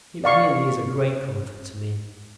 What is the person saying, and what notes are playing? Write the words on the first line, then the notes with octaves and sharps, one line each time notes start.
It really is a great comfort to me.
D5 F5 C#6